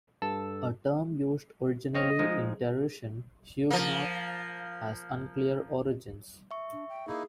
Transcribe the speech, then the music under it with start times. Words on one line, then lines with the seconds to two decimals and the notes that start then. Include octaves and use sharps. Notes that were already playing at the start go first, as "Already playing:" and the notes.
A term used originally in derision, "Huguenot" has unclear origins.
0.22 G2 A4 A5 E6
1.95 C4 C#5 D#5 F5
2.19 F3 G#3 D#4
3.70 F3 A#3
6.51 E5 C#6
6.72 D4
6.89 G5
7.08 A#3 D#4 E4 G#4